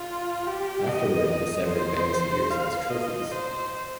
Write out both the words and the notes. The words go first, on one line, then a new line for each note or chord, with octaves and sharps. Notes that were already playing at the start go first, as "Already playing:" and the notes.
Afterward, he severed Beni's ears as trophies.
Already playing: F4
G4
D#5
D#5
C5
F5
D#5
C5